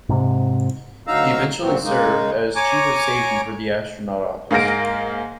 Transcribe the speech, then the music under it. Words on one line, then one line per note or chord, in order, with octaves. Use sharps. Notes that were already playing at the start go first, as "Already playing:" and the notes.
He eventually served as Chief of Safety for the Astronaut Office.
G#2 C3
D2 F#3 D#4 F5 A#5 E6
A#2 F#3 C4
C#3 G#3 A#3 D#4
C#5 G#5 A#5 D6
G#2 A#3 F5 G#5 A#6 D7